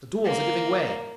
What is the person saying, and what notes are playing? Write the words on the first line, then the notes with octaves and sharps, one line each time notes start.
The doors are giving way.'
A#3